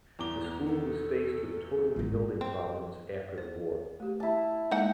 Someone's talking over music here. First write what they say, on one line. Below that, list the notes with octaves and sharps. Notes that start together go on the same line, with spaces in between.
The school was faced with total rebuilding problems after the war.
E2 A#5 D6 G7
A4
G#1 G#2
C4
C5
A3 G4
E4 A5
G#3 A#3 D#4 F#5 G#5